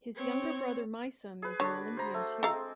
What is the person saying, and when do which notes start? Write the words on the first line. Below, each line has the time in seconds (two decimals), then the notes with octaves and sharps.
His younger brother Meisam is an Olympian too.
0.16 C4 C#5
1.42 G#4 B4
1.60 D3 D4 F#4 C#5
1.97 C5 A#5
2.14 A3
2.43 G#3 C4 A4 F5 A#5